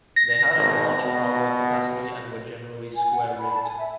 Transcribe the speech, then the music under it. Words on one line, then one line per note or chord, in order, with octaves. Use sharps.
They had a large cargo capacity, and were generally square rigged.
A#6
G#1
B2
G#5
F#5
D5
B5
A5
G#5
E5